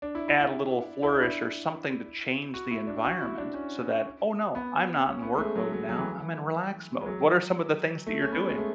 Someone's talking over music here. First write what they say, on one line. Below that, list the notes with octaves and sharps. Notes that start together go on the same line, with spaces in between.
add a little flourish or something to change the environment so that, "Oh, no, I'm not in work mode now, I'm in relax mode." What are some of the things that you're doing?
D4
E4
E4
E4
E4
D4
E4
F#4
E4
D4
F#4
E4
D4
C#4
B3
C#4
B3
G#3
A3
F#3
F#3
F#3
E3
E3
G#3
F#3
A3
C#4
B3
G#3
A3